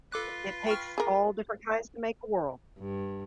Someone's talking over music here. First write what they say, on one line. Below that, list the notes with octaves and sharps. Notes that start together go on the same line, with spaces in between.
it it takes all different kinds to make a world.
F4 A4 B4 D6 F#6
G5 C#6 F6
G#4 A#4
G2